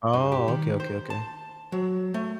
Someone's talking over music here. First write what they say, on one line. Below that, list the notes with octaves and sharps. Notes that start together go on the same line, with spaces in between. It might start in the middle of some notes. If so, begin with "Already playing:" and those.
Oh, okay, okay, okay.
G2
G4
D#3
C5
A5
F#3
A3